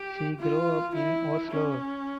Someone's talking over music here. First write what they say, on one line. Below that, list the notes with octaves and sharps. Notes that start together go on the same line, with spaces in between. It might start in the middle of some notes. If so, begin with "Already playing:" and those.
He grew up in Oslo.
Already playing: G4
F4
E4
C#4